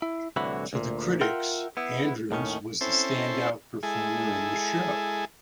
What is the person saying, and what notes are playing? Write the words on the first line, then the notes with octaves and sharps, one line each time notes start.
To the critics, Andrews was the stand-out performer in the show.
E4
C2 A2 D3 E3 F#4 B5
D2 A#2
F4 A#4 E5 F#5 G5
B3 E4
D#2 A2 D#3 C#4
C4 C#4 E4 A4 C5
G#3 E4 G#4 A4